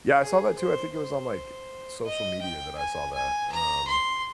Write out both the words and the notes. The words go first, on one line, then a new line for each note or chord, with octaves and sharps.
Yeah, I saw that too, I think it was on, like, social media that I saw that, um
G#4
C5
C5
D#5
G5
G#5
G#5
A#5
C6